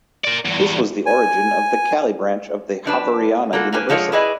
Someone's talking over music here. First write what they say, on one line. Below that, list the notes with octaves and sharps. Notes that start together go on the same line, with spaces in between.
This was the origin of the Cali branch of the Javeriana University.
A#4 D5
E2 G2
G#5
F3 D4 B4 A5
A#3 F4 F#4 A4
A#3 D4 G4 B4 G#5
D3 F3 G#3 F4 C#5 D5
E4 G#4 B4 D5 D#5 G#5